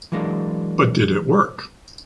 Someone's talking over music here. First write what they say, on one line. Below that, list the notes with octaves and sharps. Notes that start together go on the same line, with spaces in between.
But did it work?
E3 F#3 G#3 A#3 D4